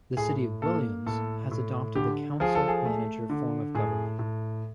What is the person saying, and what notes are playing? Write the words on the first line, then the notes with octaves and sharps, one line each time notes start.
The City of Williams has adopted the Council-Manager form of government.
A2 G#4
A#3 A4
A2 A4
A2
D3 G4
F3 G#4
A4
G#4
A3
D3
A2 G#4
A2